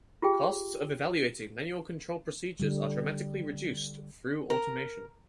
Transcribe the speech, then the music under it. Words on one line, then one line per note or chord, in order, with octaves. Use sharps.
Costs of evaluating manual control procedures are dramatically reduced through automation.
F4 G4 G#4 G5
D3 G3
A#4